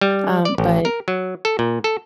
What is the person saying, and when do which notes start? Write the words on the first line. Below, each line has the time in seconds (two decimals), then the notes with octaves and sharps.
Um, but,
0.01 G3
0.45 D5
0.58 A1
0.85 A#4
1.08 F#3
1.45 A4
1.59 A#2
1.84 A4